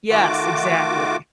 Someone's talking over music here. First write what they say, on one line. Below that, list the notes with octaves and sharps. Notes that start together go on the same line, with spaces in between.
Yes, exactly.
D#3 A3 F4 F#4 D6